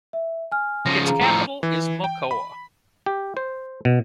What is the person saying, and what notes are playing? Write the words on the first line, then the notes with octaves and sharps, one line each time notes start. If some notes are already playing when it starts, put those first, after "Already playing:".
Its capital is Mocoa.
E5
G#5 F6
C#3 F3 A#6
G#4 F5 A#5
A2 F3 A#5 E6
E3
G5
B5
G4
C5
B2